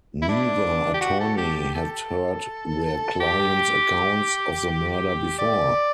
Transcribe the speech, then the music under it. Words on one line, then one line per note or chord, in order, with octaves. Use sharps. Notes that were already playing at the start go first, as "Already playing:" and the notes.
Neither attorney had heard their clients' accounts of the murder before.
E4
D4
G4
F#4
A4
G4
G4
A4
G4
D5